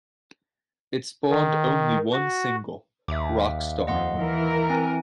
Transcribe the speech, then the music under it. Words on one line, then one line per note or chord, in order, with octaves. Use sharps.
It spawned only one single: "Rockstar".
D#3
F#4
D#2 E5 D6
F2 D#5 F#5 C6
E3 A#4
C4 G#5